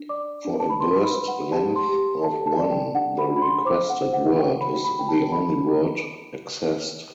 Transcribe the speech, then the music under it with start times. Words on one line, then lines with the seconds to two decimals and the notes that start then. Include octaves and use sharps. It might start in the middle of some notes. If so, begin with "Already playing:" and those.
For a burst length of one, the requested word is the only word accessed.
Already playing: D4
0.09 D5 D6
0.45 D4
0.60 A5
0.70 B5
0.80 B4 C6
1.04 B5
1.16 B4
1.28 F#5
1.52 G4 A5
1.76 C6
1.88 G4
2.23 A4 A5
2.46 A5
2.58 D5
2.71 G5
2.94 D4 F#5
3.19 B5
3.30 D4
3.36 B5
3.42 C6
3.65 C5 D6
3.90 F#5
4.02 C5
4.13 F#5
4.37 F#4 G5
4.61 B5
4.73 F#4
4.84 B5
4.99 G5
5.08 E4 A5
5.32 B5